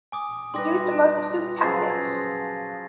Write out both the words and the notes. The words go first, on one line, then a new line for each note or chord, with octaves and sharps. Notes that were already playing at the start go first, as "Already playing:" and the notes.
He used the most astute tactics.
G#5 D6 D#6
G3 B4 C6 D6 A#6
C#3 F3 F#3 A6 C7
G#6 A#6